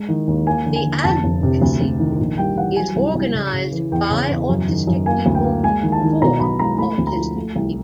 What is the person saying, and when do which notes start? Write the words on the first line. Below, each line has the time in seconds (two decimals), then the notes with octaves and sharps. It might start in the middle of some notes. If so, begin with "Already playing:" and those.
The advocacy group is organized by autistic people for autistic people.
Already playing: G#3
0.08 D#3
0.27 D#2
0.46 A#3 G#5
0.66 D3
0.76 G#5
0.85 D3
1.04 F1 A5
1.24 F1
1.43 C3
1.61 D2
1.80 D2
1.99 D#3
2.19 A#1
2.38 G3 G5
2.57 E3 F#5
2.76 F#3 G#5
2.96 C2
3.15 C2
3.34 C#3
3.53 C#3
3.72 E3
3.92 E2 G5
4.10 C#3
4.30 E2
4.49 F#2
4.68 D#3
4.87 F#2
5.06 A#3 G#5
5.26 D2
5.35 G5
5.44 A#3
5.63 G#3 G#5
5.83 D#3
5.92 A5
6.02 D#3
6.22 B2 A#5
6.40 B1 B5
6.59 G#3 A#5
6.78 A3 B5
6.98 D2
7.07 A#5
7.17 F3
7.36 A3
7.55 C2